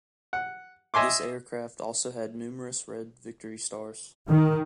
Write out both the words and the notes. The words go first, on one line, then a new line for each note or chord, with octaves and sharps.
This aircraft also had numerous red victory stars.
F#5
D#5 E5 G#5 C6 D6
D#3